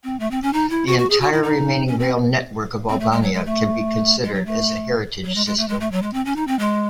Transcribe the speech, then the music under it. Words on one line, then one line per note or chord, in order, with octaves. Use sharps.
The entire remaining rail network of Albania can be considered as a heritage system.
C4
A3
C4
C#4
D#4
E4
F#4
F#4
G#4
F#4
E4
D#4
C#4
C4
C4
A3
G#3
F#3
G#3
A3
G#3
F#3
A3
F#3
G#3
G#3
A3
G#3
A3
F#3
G#3
C4
C#4
D#4
C4
G#3